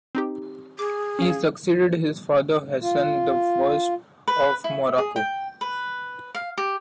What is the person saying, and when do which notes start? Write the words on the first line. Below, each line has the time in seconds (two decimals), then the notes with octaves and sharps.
He succeeded his father Hassan the First of Morocco.
0.15 C4 D#4 G4
0.79 G#4 D6
1.19 C#4 F5
2.82 F4
4.28 B4
4.64 E4
4.98 G#4
5.16 G5
5.61 B4
6.35 F5
6.58 G4